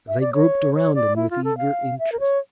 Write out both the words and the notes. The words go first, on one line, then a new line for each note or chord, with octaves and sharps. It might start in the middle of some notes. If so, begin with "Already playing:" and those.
They grouped around him with eager interest.
E5
D5
C#5
C#5
D5
E4
F4
A4
F5
E5
A#4
C#5